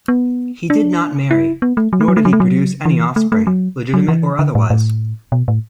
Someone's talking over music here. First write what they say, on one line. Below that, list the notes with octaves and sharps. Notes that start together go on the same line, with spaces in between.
He did not marry, nor did he produce any offspring, legitimate or otherwise.
B3
D4
E4
B3
A3
F#3
A3
F#3
A3
F#3
A3
F#3
E3
A3
A3
F#3
F#3
E3
D3
A2
A2
B2
A2